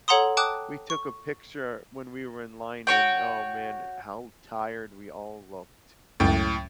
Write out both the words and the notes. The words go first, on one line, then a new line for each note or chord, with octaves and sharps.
we took a picture when we were in line, and oh man, how tired we all looked.
A4 C#5 F#5 A#5 C6 D#6
G5 A5 D6 D#6 F#6
C#6
F#4 C#5 G5
C#2 F#2 A2 G5 A6